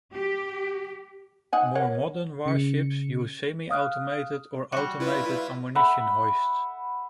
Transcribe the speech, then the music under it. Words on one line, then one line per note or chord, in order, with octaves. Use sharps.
More modern warships use semi-automated or automated ammunition hoists.
G4
D#4 F#5 G#5
A#4 C#5 F#5
C#3 C#7
F5 D#6 F6 F#6
G3 F#4
E4 F4 B4
E5 F#5 B5